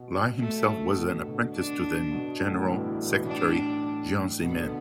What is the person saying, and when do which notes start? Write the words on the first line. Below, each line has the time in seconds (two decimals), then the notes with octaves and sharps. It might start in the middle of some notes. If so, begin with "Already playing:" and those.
Lai himself was an apprentice to then General secretary Jiang Zemin.
Already playing: B2
0.39 A3
0.87 A2
0.97 B2
1.20 D3
1.26 B2
1.55 D4
2.12 B2
2.40 A2 D3
2.61 G3
2.70 B2 E3
3.07 B2 E3
3.27 A2 D4
4.42 B2 B3
4.53 D3
4.63 B2